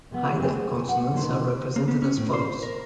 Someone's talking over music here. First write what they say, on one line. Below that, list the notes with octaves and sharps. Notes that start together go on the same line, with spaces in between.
Haida consonants are represented as follows.
C3 B3
A3 C4 G#4
B4 F#5
B2 D#3 A#3 D#4 B4 C5
A#3
B3
C#4
A2
C5
A#4